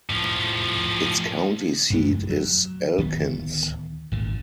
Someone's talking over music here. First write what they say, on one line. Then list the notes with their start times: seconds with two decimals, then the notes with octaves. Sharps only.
Its county seat is Elkins.
0.10 A2 F3
1.90 A1 F#2 G#3 A3
2.30 F#3
2.98 D1 D#3 B3
4.12 G#1 A#2 D3